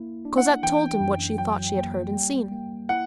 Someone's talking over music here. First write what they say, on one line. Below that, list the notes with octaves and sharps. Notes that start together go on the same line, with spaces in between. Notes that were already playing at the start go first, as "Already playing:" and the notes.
Cosette told him what she thought she had heard and seen.
Already playing: A#3 E4
D4
F#5
E3 G5
F#2
F#3 G5
A#3
G3
A#3
E4 F#5